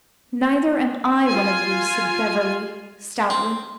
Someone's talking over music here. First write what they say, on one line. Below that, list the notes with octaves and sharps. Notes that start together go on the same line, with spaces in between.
"Neither am I one of you," said Beverly stoutly.
F4 G#5
C4